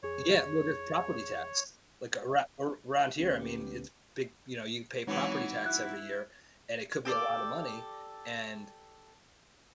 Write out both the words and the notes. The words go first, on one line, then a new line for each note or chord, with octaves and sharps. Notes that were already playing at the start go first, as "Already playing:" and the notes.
Yeah, well, just property tax, like, aroun around here, I mean, it's big, you know, you pay property tax every year, and it could be a lotta money, and
F2 G#4 C#5
D2 B3 C#4 G4
E3 F#3 G#3 B3 C4 D#4 C#5
E4 F#6
G4 A4 C5 D5